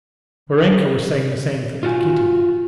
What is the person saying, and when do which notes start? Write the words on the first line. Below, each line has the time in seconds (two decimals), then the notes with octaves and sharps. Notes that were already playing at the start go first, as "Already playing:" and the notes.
Varenka was saying the same thing to Kitty.
1.83 F4 F#4 G#5